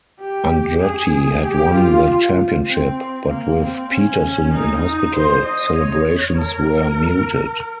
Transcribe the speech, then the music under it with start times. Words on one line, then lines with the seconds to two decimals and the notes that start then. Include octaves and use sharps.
Andretti had won the championship, but with Peterson in hospital, celebrations were muted.
0.20 G4
0.81 G#4
1.43 G4
1.74 F4
2.67 C4
3.28 A#3
3.60 C4
3.90 C#4
4.53 D#4
4.83 D#4
5.14 C5
5.45 D#5
5.76 C#5
6.38 A#4